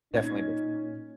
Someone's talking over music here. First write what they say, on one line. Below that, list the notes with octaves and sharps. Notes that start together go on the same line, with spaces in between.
Definitely before.
A#2 C#4 D#4 G#6